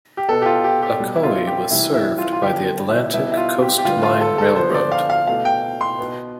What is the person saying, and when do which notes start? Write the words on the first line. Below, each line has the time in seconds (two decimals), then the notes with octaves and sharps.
Ocoee was served by the Atlantic Coast Line Railroad.
0.17 G4
0.29 B2 B3 A4
0.42 G4
0.46 F4
0.64 G4
0.82 G4
1.00 B2 G3 B3
1.15 E4
1.23 F4
1.47 G4
1.71 C3 E3 G3 E4
1.94 E4
2.18 F4
2.33 F4
2.42 D3 F3 B3 G4
2.90 E4
3.13 B2 G3 B3 E4
3.32 E4
3.37 F4
3.62 G4
3.78 G4
3.85 D3 G3 B3 F4
4.03 F4
4.21 A4
4.38 A4
4.56 D3 F3 B3 C5
4.74 D5
4.92 F5
5.10 F5
5.27 B2 A3 F5
5.45 G5
5.81 C6
5.99 B2 B3